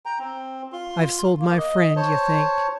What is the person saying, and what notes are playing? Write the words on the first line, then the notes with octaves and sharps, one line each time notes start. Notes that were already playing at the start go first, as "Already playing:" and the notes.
I've sold my friend, you think.
G5 A#5
C4
F4 C6
A#3
D#5
C5 C#5 A5